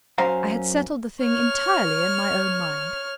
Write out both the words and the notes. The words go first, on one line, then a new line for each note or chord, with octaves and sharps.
I had settled the thing entirely in my own mind.'
F#2 C#4 C5 F5 A#5
C#5 F6